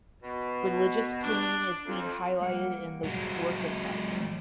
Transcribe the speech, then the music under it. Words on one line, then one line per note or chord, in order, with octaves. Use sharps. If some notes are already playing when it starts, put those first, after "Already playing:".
Religious painting is being highlighted in the work of fiber.
B2
D4
F2
G3 A#3 F#5
F#3 G#3